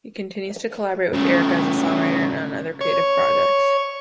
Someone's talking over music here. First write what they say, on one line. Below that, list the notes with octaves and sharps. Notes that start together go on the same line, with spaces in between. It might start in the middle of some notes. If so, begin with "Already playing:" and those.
He continues to collaborate with Erica as a songwriter and on other creative projects.
C#3 A3
C#5